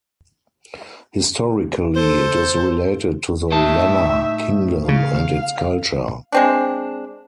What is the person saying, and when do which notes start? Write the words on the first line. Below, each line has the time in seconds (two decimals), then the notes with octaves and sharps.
Historically it is related to the Lanna Kingdom and its culture.
1.96 A4 C5
3.52 A2 D#4 E5 A5
4.88 C#3 F5
6.32 G#3 C4 D4